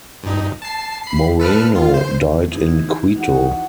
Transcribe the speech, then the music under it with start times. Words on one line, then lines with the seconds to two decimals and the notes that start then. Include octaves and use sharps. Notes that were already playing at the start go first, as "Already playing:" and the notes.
Moreno died in Quito.
0.23 G2 D#4
0.62 A5 C7
1.03 B5 C7
1.40 A4 B4 F6
1.76 F4
1.94 C5
2.52 E3 D#4 E4
3.15 F#4